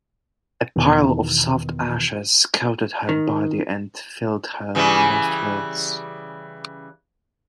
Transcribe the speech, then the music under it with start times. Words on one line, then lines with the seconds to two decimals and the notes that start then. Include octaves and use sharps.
A pile of soft ashes coated her body and filled her nostrils.
0.76 E2 B2 D#3
3.09 D#3
4.75 C#3 E3 G3